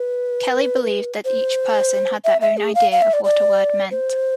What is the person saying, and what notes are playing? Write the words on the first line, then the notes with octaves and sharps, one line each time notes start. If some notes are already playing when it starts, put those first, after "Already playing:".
Kelly believed that each person had their own idea of what a word meant.
Already playing: B4
C5
E5
E5
G#4
F5
F5
E5
D5
D5
C5